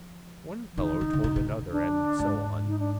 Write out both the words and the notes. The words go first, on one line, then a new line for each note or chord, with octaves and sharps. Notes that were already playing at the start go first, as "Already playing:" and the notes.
One fellow told another and so on.
Already playing: F3
D#3 D#4
D#3
D3
B2
D3
D4
G#2
D#4
D4